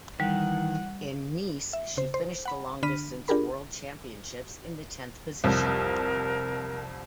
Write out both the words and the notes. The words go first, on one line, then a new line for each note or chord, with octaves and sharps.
In Nice, she finished the long distance world championships in the tenth position.
D#3 E3 G3 F#5
E5
C#3 C5
C5
F#5 B5
D3 D4 B5 F6 B6 D#7
D4 F4 G4 G#4 A#4 B5
C2 F2 A#4